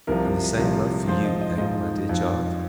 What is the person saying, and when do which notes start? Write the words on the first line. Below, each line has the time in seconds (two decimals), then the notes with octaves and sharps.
"And the same love for you--eh, my dear child?"
0.07 C2 C3 F3 A#4
0.57 C2 C3 F3
1.07 G#2 F3 C5
1.25 D#5
1.41 D#5
1.58 G#2 F3 D#5
2.09 F2 F3